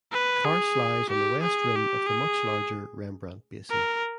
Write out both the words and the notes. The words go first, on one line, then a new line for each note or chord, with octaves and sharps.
Karsh lies on the west rim of the much larger Rembrandt basin.
B4
G#4
G4
G#4
G4
G#4
A#4